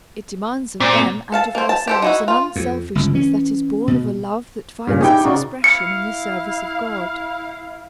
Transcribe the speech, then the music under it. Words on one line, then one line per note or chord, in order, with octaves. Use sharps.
It demands of them and of ourselves an unselfishness that is born of a love that finds its expression in the service of God.
A#2 C4
A4 F5 A5
A#3 C5
A5
G4 A4 C5
D#4 E4 F#4
F4
F2
G1 C#2
E3 C#4
B2
G2 A#2 C#3
D#4 E4 G4 G#4 G5
C#3 D#4 F#4 D5
E4 F5 C#7